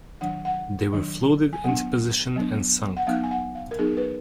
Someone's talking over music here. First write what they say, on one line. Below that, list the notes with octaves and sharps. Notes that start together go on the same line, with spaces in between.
They were floated into position and sunk.
D#3 F#3 D4 F#5
F#5
D#3 F#3 D4
G#5
F#3 B3 D4 F#5
F#3 B3 D4
F#5
F#3 B3 D#4 F5
G#5
F#5
F5
A#4
F#3 B3 D#4 G#4
A#4
B4